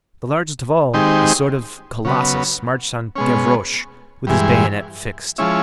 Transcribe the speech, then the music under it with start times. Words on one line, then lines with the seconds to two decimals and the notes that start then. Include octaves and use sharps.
The largest of all, a sort of colossus, marched on Gavroche with his bayonet fixed.
0.94 D#3 G#3 C4 D#4 G4
2.05 C#3 F#3 B3
3.16 B2 G#3 C#4
4.27 G2 E3 G#3
5.38 F3 G#3 C#4 E4